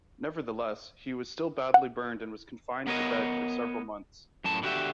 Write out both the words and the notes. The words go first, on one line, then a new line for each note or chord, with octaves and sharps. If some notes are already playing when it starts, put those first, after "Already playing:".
Nevertheless, he was still badly burned and was confined to bed for several months.
F#5
B3 A#4 C#5 D#5
F#2 A2 A5
D3 E4 F#4 G4 E5